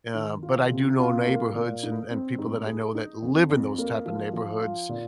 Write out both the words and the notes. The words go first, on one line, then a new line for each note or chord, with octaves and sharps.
uh, but I do know neighborhoods a and people that I know that live in those type of neighborhoods,
D#3
F4
C3
F4
A#3
A#2
D#4
C4
G#2
G#4
D#4
F2
F2
A#3
F3
F3
F4
A#2